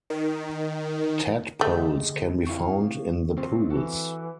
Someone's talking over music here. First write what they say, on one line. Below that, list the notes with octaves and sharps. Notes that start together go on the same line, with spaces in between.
Tadpoles can be found in the pools.
D#3
D3 A3 G4 G#4 D#5
C4 E4 F5 C#6
F#3 C4 F4
E3 F#4 A4